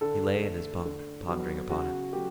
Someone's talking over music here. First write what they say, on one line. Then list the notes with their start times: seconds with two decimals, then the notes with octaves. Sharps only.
He lay in his bunk pondering upon it.
0.01 D3 A4
0.44 A3
0.85 D3
1.28 F#3 B3
1.70 C#3 F#4
2.13 F#3 A3 G4